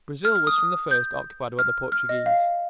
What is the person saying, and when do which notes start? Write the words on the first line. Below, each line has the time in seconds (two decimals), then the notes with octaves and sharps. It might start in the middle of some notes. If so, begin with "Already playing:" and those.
Brazil was from the first occupied by the Portuguese.
0.25 F6
0.35 F6
0.47 D#6
0.58 D#6
0.91 G6
1.59 F6
1.92 F6
2.09 D#5
2.26 F5